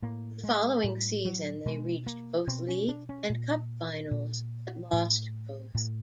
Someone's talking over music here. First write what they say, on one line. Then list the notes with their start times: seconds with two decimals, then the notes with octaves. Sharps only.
The following season they reached both league and cup finals but lost both.
0.02 A2 A#3
0.44 G#3
0.84 A2 G3
1.25 F#3
1.66 B2 G#3
2.06 A#3
2.47 B2 C4
2.68 C#4
2.88 D4
3.09 C#4
3.29 A#2
4.11 A#2
4.93 A2
5.75 A2